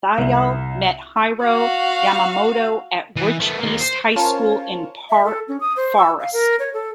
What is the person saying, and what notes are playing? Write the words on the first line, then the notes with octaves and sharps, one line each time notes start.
Thayil met Hiro Yamamoto at Rich East High School in Park Forest.
C2
F#4 F5
E3 B4
A3 B3
D#2 A#3
C5
C#4 F4 A#4 C5 C#5 A5
E5
A4
C#4
D#6
C5
E6
F5
A#4
C#5
A4